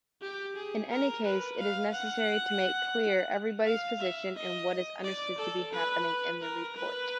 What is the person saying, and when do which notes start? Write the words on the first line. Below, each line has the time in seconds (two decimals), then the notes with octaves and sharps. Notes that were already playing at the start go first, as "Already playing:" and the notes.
In any case, it is necessary to make clear everybody’s position and what is understood to be happening in the report.
0.21 G4
0.56 G#4
0.90 A#4
1.24 B4
1.59 F5
1.93 F#5
3.66 F5
4.00 E5
4.35 D#5
5.04 D5
5.38 A4
5.73 B4
6.41 A#4
6.76 B4